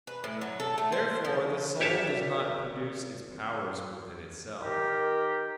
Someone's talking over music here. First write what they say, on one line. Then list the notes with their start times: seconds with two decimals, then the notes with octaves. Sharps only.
Therefore the soul does not produce its powers within itself.
0.07 B4
0.24 A2
0.41 F#3
0.60 A4
0.78 A3
0.92 C5
1.25 F3
1.80 G#1 G4 C#5 E5 A5
4.63 D#3 G4 A#4